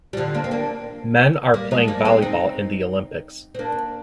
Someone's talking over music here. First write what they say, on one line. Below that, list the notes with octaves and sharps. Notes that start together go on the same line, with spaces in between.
Men are playing volleyball in the olympics.
G3
D3 F3
A#3 D4
C4
A#3 D4
G3 A#3
F3 G#3
G3 A#3
G#3 C4
C4 D#4
C4
A#3 D4